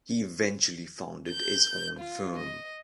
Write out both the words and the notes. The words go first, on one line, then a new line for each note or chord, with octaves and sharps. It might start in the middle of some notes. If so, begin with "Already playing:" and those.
He eventually founded his own firm.
G6
F4
D#5